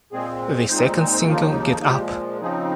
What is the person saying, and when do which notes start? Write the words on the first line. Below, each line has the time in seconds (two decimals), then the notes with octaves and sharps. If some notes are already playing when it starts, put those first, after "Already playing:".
The second single Get Up!
0.12 A#2 G#3 C4 G#4
0.69 A#2 G#3 C4 D#4 C5
1.13 C5
1.26 D#2 C#3 F3 A#3 D#4 F4
1.84 A#2 F3 G#3 G4
2.41 C#3 F3 C4 D#4 G#4